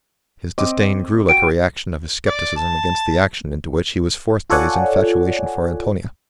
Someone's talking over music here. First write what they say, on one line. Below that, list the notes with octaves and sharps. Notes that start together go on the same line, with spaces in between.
His disdain grew like a reaction of his scepticism against the action into which he was forced by his infatuation for Antonia.
C4 D#5 D6
F#4 G5 D7
D5
A5
F4 A4 C#5 D5 F#5 G#5